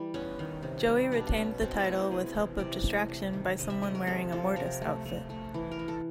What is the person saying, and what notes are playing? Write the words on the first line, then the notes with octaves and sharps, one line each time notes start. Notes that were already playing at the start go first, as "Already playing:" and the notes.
Joey retained the title with help of distraction by someone wearing a Mortis outfit.
Already playing: E3 G3
B3 C#4
D#3
C3
G3
B2 D4
F#3 C#4
B2 C4
E4
A3 F#4
G4
C3 G#4
E3
C3 D5
A3
C3
D#3
C3 D#5
E5
G#3 D#5
A#4
C3 A4
F3 A4
C3 A#4
A3
A3
A3
E3
A#4
E3
A4